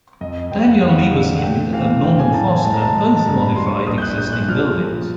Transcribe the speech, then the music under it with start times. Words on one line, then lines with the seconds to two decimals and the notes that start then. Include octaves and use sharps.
Daniel Libeskind and Norman Foster both modified existing buildings.
0.21 F2 D#5
0.51 F2 G5
0.64 F#5
0.78 F2 F5
0.90 F#5
1.12 D3
1.39 F#5
1.43 A3 G5
1.73 E3 F5
2.03 A2 G5
2.19 G#5
2.34 A2 A5
2.49 G#5
2.65 G#3 A5
2.73 A#5
2.82 A5
2.95 G#3
3.16 A5
3.25 G2 A#5
3.42 B5
3.56 G2 C6
3.66 C#6
3.72 C6
3.87 A#1 D#6
3.98 G6
4.02 F#6
4.18 A#1 G6
4.33 F#6
4.48 F3 F6
4.78 F3